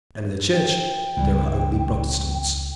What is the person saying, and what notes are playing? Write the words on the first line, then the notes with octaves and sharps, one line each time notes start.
And in the Church there are only Protestants.
G5
C#2 E3 G3 C4